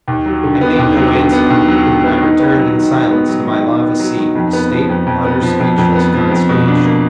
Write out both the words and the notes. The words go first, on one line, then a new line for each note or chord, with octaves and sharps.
I made no answer; and I returned in silence to my lava seat in a state of utter speechless consternation.
D#2
F#3
D3
B3
D#2
F#3
D3
B3
D#2
F#3
D3
B3
D#3
B3
F#3
D#3
D#3
B3
F#3
D#3
D#3
B3
F#3
D#3
F2
B3
F3
F2
F2
B3
F3
F2
F2
B3
F3
F2
B2
D4
A#3